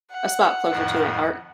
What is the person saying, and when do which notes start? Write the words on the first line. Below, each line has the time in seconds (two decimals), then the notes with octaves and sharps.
a spot closer to my heart.
0.12 F#5
0.70 F2 A2 D#3